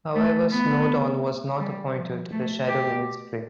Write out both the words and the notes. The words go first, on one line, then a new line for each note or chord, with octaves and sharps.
However, Snowdon was not appointed to the shadow ministry.
A3
B3
G3
F3
A3
G4